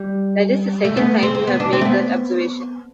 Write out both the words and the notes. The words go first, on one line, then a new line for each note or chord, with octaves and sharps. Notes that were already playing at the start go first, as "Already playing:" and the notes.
That is the second time you have made that observation.
Already playing: G3
A3
B3
C4
C4
B3
D4
C4
A3
B3